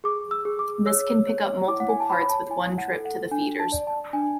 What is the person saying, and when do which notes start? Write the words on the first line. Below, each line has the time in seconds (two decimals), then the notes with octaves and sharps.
This can pick up multiple parts with one trip to the feeders.
0.04 G#4 D6
0.31 E6
0.45 G#4
0.59 D6
0.86 C#5 E6
1.27 C#5
1.68 E4 D6
1.80 F#5
1.89 G#5
2.00 A5
2.10 C#5 B5
2.22 B5
2.29 A5
2.49 E4 G#5
2.78 F#5
2.91 A4
3.05 F#5
3.31 D4 G#5
3.59 A5
3.72 D5
3.87 A5
4.13 D4 G#5